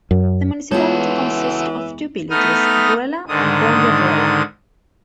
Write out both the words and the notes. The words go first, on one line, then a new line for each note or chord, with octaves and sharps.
The municipality consists of two villages: Brela and Gornja Brela.
F#2
E3 G#3 B3 F4 F#4 A4 C#5
A3 B3 D#4 D#6 F6
G#2 D3 D#3 D#6